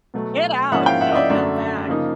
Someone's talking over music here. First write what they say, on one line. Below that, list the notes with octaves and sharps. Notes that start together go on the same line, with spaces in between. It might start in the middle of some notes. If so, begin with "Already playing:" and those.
Get out, don't come back.
B2 F#3 A3
G#2 F3 A#3 C#4 E4 E5 F#5
F5 G5
E5 F#5
D#5
D5 E5
F#2 D3 F#3 A3 D5 E5
C#3 F3 A#3 D#4